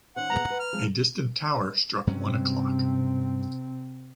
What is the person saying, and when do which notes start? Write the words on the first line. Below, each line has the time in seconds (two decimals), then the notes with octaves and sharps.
A distant tower struck one o’clock.
0.16 D#3 C#4 C5 F#5
0.30 A#2 B3 G#4 A#5
0.46 B4 C#5
0.60 F6
0.73 F3 G#3 C4
2.07 G2 C3 F#3 C4 C#4